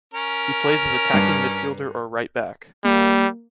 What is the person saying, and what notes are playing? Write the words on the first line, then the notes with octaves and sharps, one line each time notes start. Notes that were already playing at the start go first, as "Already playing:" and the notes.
He plays as attacking midfielder or right back.
C#4 A#4
G2
G3 A#3